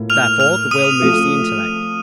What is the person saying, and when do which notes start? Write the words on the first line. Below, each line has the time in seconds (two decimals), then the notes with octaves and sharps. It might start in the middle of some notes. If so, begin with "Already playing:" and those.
Therefore the will moves the intellect.
Already playing: A2 A#3 F4
0.10 F6 F7
0.40 F6 F7
0.71 D#6 D#7
1.02 F3 A3 C4